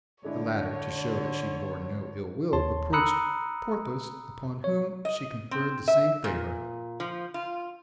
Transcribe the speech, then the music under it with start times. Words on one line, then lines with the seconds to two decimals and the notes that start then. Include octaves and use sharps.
The latter, to show that she bore no ill-will, approached Porthos, upon whom she conferred the same favor.
0.24 D3 G#3 D4 E4 C#5
2.53 D#2 C#5 A5 C6
2.93 A#5 B5 D#6 E6 F#6 C#7
4.64 C#5
5.05 D#5
5.51 C4
5.88 E5
6.24 A#2
7.00 F3
7.34 F4